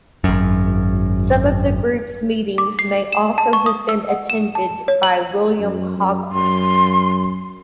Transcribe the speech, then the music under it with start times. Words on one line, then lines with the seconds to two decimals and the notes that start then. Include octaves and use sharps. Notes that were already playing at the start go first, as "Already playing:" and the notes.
Some of the group's meetings may also have been attended by William Hogarth.
0.24 G#1 F#2
2.58 D6
2.79 C7
3.12 E7
3.38 A5
3.53 C#6
3.66 D#6
3.89 E6
4.09 F#5
4.30 E7
4.55 A5
4.88 C#5
5.03 F#7
5.59 F#2
5.97 F#2
6.31 F#2 C6